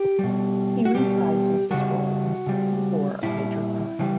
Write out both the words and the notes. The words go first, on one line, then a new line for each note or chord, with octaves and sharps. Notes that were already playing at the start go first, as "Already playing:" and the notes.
He reprises this role in season four of "Major Crimes".
Already playing: G4
B2 G3
F#4
B2 G3 G4
C#3 G3 F#4
C#3 G3
A#2 G3 E4
C#3 E3 G3